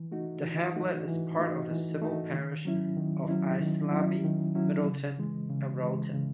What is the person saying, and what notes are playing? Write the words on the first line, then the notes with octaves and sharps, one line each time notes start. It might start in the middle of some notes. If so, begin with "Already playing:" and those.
The hamlet is part of the civil parish of Aislaby, Middleton and Wrelton.
Already playing: E3
A3 D#4 F#4
E3
A3 D#4 F#4
E3
A3 D#4 F#4
E3
A3 D#4 F#4
D#3
F#3 C#4 E4
D#3
F#3 C#4 E4
D#3
F#3 C#4 E4
D#3
F#3 C#4 E4
C#3
E3 G#3
C#3
E3 G#3
C#3